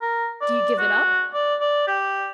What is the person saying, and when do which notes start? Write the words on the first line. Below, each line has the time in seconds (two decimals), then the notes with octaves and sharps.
"Do you give it up?"
0.02 A#4
0.42 D5
0.79 F#4
1.34 D5
1.61 D5
1.88 G4